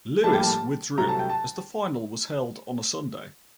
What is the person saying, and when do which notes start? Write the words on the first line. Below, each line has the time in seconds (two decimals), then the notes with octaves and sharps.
Lewis withdrew as the final was held on a Sunday.
0.23 A#1 A2 G3 A#3 A5
0.33 G5
0.43 A5
0.98 C2 C3 F#3 A3 A#5
1.08 A5
1.19 G5
1.30 A5